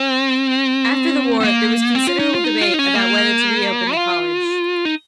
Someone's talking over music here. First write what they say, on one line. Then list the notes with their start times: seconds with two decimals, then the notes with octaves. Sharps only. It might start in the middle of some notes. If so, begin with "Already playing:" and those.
After the war there was considerable debate about whether to reopen the college.
Already playing: C4
1.40 C4
1.44 A#3
1.95 C4
2.07 F4
2.19 D#4
2.35 F4
2.44 D#4
2.61 F4
2.74 D#4
2.79 C#4
2.95 A#3
3.95 F4
4.85 D#4